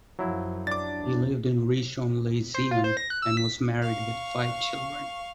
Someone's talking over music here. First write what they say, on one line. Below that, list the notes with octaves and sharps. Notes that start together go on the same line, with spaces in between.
He lived in Rishon LeZion and was married with five children.
F#2 F3 F#3 E4
D4 D6 A6
E2
C5
F4
C5
A#6
F#6
E6
B6
F5 C#6